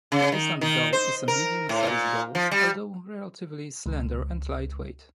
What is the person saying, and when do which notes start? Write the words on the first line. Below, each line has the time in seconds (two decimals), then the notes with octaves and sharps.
The Iceland gull is a medium size gull, although relatively slender and light-weight.
0.12 C#3
0.32 D#3
0.61 D#3
0.93 C5
1.28 A#4
1.69 A2
1.87 A#2
2.35 F3
2.51 G3
3.86 C#2